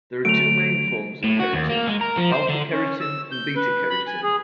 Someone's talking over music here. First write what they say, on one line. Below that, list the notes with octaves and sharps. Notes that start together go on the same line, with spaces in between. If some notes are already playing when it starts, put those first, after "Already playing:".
There are two main forms of keratin, alpha-keratin and beta-keratin.
D2 F#3 A3 D7 F7
A2
F#4
D#2
A#3
G#3
A#4
F3
C5
D3
C#4
E6
G6
B4
B5
G#5
G#4